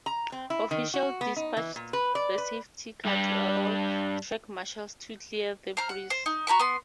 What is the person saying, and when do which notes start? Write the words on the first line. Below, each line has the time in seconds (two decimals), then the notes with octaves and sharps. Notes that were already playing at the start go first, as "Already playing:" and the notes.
Officials dispatched the safety car to allow track marshals to clear debris.
0.06 A#5
0.32 C4
0.50 E4
0.71 D#3
0.94 F#4
1.21 B3
1.36 D#4
1.57 E3
1.76 A#2
1.93 B4
2.15 D5
2.38 B4
3.05 G2 G3
5.77 C5 A#5 F6
5.89 F#5
6.10 C5
6.26 D#4
6.47 F#4 A#5 B5 C#6
6.59 B3 C6